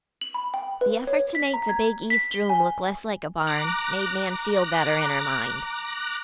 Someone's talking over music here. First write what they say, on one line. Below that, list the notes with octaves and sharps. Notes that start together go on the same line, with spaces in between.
The effort to make the big east room look less like a barn made Nan feel better in her mind.
F#7
B5
G5
B4
C#5
B6
A#5
G#6
B6
G7
G#5
A#5 D6 F#6